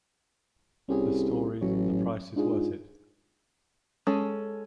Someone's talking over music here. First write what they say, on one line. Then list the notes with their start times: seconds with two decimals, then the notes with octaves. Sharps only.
The story ...the price is worth it.
0.89 C2 C#4 G4 G#4
1.61 A1 A2 F#3 C#5
2.36 G#2 D4 F4 G#4
4.07 G#3 C#4 A4